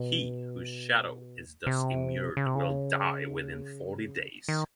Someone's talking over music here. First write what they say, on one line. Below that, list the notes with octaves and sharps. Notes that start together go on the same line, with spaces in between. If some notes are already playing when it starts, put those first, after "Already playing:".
He whose shadow is thus immured will die within forty days.
Already playing: B2
C3
C#3
C3
C#3
D#3